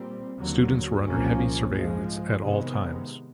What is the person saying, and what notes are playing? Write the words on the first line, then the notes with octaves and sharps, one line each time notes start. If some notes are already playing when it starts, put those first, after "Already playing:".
Students were under heavy surveillance at all times.
Already playing: A#2 G3 C4
D#2 D3 F#3
C2 A#2 F3 A#3 C#4
G#2 F3 G#3
C3 D#3 G#3 B3